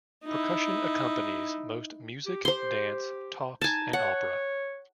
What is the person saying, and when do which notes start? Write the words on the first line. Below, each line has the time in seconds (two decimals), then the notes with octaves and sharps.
Percussion accompanies most music, dance, talks, and opera.
0.25 D#4 E4
2.26 G4
2.45 G4 C5 C6
3.61 D#4 G#5 A5
3.93 C#5 F#5